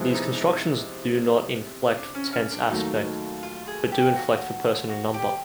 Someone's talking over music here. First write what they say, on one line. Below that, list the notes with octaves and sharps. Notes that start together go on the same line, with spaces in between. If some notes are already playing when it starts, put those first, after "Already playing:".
These constructions do not inflect for Tense-Aspect, but do inflect for person and number.
Already playing: C3 F3 G#3 B3 E4
D#4
D4
C#4
C#4
D4
D#2 D#3 F#3 A3 D#4
F4
G#4
G4
F#4
F#4
G4